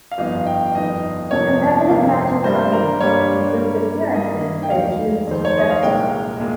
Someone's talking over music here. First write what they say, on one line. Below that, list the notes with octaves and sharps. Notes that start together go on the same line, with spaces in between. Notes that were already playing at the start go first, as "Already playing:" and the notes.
Competitive matches only, includes appearances as used substitute.
F5
G1 F2 D#3 D#5
F5
G5
G5
G1 F2 D#3 D#5
G1 F2 C3 F3 A#3 C#5
G1 F2 C3 F3 A#3
G2 G3 A#3 C5
A#4
G2 G3 A#3 C#5
G2 G3 A#3
G2 G3 A#3 D#5
G5
F1 D#2 D#3 F5
F1 D#2 D#3 C5
C#5
D#5
F5
C2 A#2 G#3 G5
A#2 G#3